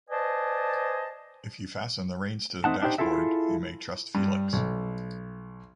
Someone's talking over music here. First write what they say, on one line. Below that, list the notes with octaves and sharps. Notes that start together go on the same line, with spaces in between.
If you fasten the reins to the dashboard, you may trust Felix.
B4 C5 D5 D#5 G#5 A5
A3 C4 D#4 F#5 A5
D4 D#4 G4 C5
E4 F4 G#4 A4 E5
G2
B1